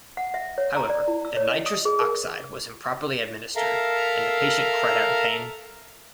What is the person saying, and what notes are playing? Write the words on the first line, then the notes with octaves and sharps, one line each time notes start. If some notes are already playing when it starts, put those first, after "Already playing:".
However, the nitrous oxide was improperly administered and the patient cried out in pain.
F#5
E5
C#5
A#5
D5
E4
E6
C#5
D#5
D#6
G#4
A#4
A4 A#4 E5 F5 A#5